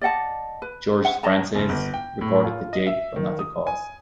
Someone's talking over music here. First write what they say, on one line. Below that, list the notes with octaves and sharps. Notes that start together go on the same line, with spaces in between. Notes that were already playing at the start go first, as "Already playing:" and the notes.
George Sphrantzes recorded the date but not the cause.
D5 D#5 F#5 A5
B4
E5 F#5
C#5 D#5 A5 A#5
F#1
G1
G5
A2
F4
D#5
E5
D#3
D#6
G#5